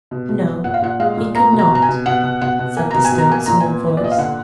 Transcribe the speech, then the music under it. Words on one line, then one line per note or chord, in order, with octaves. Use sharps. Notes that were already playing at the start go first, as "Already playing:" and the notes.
No! he could not, said the still small voice.
B2
B2
B3
A#2 F#5
F5
A#2 F#5
G#3 F5
A#2
A#3 A#5
B2
A#5
B2 A#5
G#5
B2
B2 F#5
B2
B2 F#5
B2
A#3 G#5
B2 A#5
G#5
B2
A#5
A#3 G#5
A#2 A#5
G#5
B3
B3
D5
A#2 D#5
F5
D3 F#5